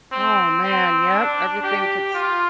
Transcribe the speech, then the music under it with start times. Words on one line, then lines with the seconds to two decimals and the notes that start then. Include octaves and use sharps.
Oh man, yep, everything gets
0.12 C4
0.62 C4
1.13 D4
1.63 G4
2.14 F4